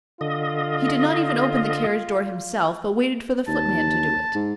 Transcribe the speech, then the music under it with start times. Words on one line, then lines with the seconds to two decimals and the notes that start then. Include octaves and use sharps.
He did not even open the carriage-door himself, but waited for the footman to do it.
0.21 D3 F4 D#5
3.48 D#2 A5
4.34 G#2